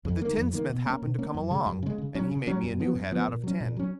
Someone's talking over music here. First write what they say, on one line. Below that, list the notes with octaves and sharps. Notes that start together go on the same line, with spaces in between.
But the tinsmith happened to come along, and he made me a new head out of tin.
F2
D#3 A#3
F2
D#3 A#3
B2
A#3 C#4
B2
A#3 C#4
F#2
C#3 G#3
F#2
C#3 G#3
C#3
F#3 C#4
C#3
F#3 C#4
F#2
F3 B3
F#2
F3 B3
A#2
F#3 C#4
A#2
F#3 C#4